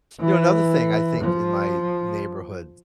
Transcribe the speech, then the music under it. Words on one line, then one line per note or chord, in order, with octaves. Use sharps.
You know, another thing I think in my neighborhood,
E3
F3